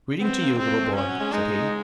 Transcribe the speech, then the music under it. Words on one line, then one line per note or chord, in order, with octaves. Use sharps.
"Greeting to you, little boy," said he.
B3 C4
A#3
G#3 C4
A#3
A3
G#3
F3 C#4
F#3
G#3
G#3 D#4